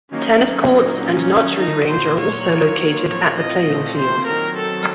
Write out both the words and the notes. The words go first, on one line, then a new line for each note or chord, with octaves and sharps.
Tennis courts and an archery range are also located at the playing field.
D#3 F#3 A#3 C#4 D#4
A#2 F#3 A#3 D#4
C#4
D#3 F#3 A3
D#4
A#2 F#3 A#3 C5
C#5
D#3 F#3 A#3 F4
A2 F3 C4 F4 C#5
D#5
A#2 F3 A3 C4
C5
D#3 F#3 C4 A#4
A4